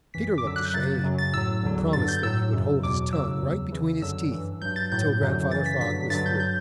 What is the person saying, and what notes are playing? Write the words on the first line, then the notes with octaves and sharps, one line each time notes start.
Peter looked ashamed and promised that he would hold his tongue right between his teeth until Grandfather Frog was through.
F#2 E3 B6
D6
F#2 D3 F#3 E6
F#6
G6
F#2 C#3 F#3 A6
F#2 C#3 F#3
A6
A2 F#3 E6
E2 D3 F#3
G2 D3 F#3 A6
G6
A2 F#3 E6
F#2 C#3 F#3
E2 B2 F#3 D6
F#2 C#3 F#3 E6
E6
E2 C#3 F#3
E2 C#3 E3
F#2 D3 F#3 E6
G2 E3
G2 F#3 G6
A6
A2 F#3 G6
F#2 D3 F#3
F#2 C#3 E3 A6
B6
G2 D3 F#3 B6
G2 D3 F#3 A6
G6
F#3 G6